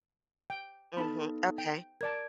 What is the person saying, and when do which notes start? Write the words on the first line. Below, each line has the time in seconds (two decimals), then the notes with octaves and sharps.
Mhm, okay.
0.50 G5
0.97 B3 D#4 A4 A5 B5
1.58 G5
2.01 A#4 D5 A5 G#6 D7